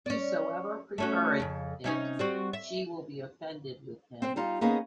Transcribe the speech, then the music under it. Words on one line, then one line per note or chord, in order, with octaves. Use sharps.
Whosoever prefereth it, she will be offended with him.
C#4 D5
A3 C#4 F#4
F2 C#3
C3 C#4 D#4
G3 C4 F#4
E5
C4 C5
G3 D#4 F4
A#3 B3 C#4 D#4 G#4